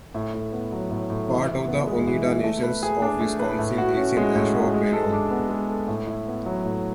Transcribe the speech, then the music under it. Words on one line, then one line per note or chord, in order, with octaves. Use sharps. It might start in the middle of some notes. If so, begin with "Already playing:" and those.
Part of the Oneida Nation of Wisconsin is in Ashwaubenon.
A2
A2
B3
F#3
A2
A2
E3
E4
B3
G#3
E3
E4
A3
B4
G#4
D4
A3
B4
A2
F#4
C#4
G#3
A2
F#4
G#3
A4
D4
B3
G#3
A4
A2
E4
B3
F#3
A2